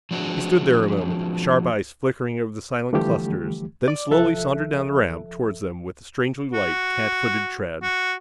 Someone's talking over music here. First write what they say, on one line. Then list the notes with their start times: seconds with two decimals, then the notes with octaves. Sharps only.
He stood there a moment, his sharp eyes flicking over the silent clusters, then slowly sauntered down the ramp toward them with a strangely light, catfooted tread.
0.11 F3 G#3 C4 D4 F#4
2.93 D3 E3 F3 G3 A3 G4
3.88 D5 D6
4.10 C2 F3 A4 E5 F#6
6.53 F#4
7.83 F#4